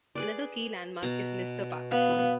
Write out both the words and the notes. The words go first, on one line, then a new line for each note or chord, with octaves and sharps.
Another key landmark is Lister Park.
G#4 B4 D5
B2 A#5
B3 F5 B5